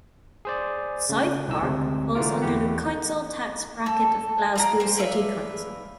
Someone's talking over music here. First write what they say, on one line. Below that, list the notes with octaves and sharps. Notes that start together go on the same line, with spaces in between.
Southpark falls under the council tax bracket of Glasgow City Council.
G#4 C5 D5
C#3
C2 D#4 E6
D2 C3 G#3
D3 E3 G#3 A3 F4 A#4
E2 A3 E4 G4 F#5
A4
F4 D5 A#5
A#3 C5
B4 D5 E5 F5